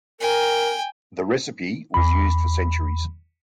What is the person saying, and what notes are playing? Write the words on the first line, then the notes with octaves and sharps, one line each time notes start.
The recipe was used for centuries.
A#4 G5 G#5
E2 B5